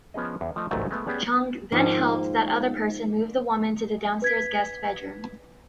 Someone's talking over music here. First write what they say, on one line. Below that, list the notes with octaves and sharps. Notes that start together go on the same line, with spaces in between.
Chung then helped that other person move the woman to the downstairs guest bedroom.
F3 B3 C#4 G#4 D#5
E2
F3 A3 D#5
G1 C2 G#2 D#3 F#3 A3
G#3 A3 B3
B3 C#4 G4 G#4 D5 F#5
G#2 D#3 F3 A#3
B4 G#6 B6